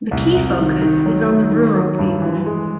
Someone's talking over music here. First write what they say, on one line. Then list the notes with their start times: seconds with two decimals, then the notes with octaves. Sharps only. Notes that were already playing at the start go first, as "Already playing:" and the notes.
The key focus is on the rural people.
0.11 C2
0.35 C2
0.59 D#3
0.82 D#3
1.06 F#3
1.29 D#3
1.51 D#3
1.76 F#3
1.99 G2
2.22 E3
2.46 G#3